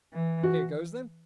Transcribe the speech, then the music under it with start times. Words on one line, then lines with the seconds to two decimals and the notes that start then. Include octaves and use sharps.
Here goes then ...
0.13 E3
0.43 F#4